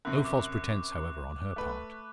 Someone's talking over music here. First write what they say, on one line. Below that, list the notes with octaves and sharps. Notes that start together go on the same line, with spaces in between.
No false pretence, however, on her part.
F#2 C3 C#6 F#6
D6
A3 B4